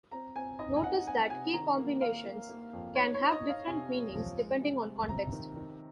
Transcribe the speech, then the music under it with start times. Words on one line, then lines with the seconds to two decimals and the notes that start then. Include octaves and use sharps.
Notice that key combinations can have different meanings depending on context.
0.11 C4 A#5
0.36 C4 G#5
0.59 D#4 D#5
0.76 G#5
0.83 D#4 F#5
1.07 C4 G#5
1.30 C3 G#5
1.53 D#3 A#5
1.77 A#3
2.01 A#3 F5
2.25 A#3
2.49 A#3
2.73 F2
2.95 D#4 C#5
3.14 C#5
3.20 D#4
3.32 D#5
3.43 D#4
3.49 F5
3.67 C3 G#5
3.91 A#3
4.15 F3
4.38 G#3
4.61 C3
4.86 G#3
5.09 C3 A#5
5.33 D#3
5.56 D#3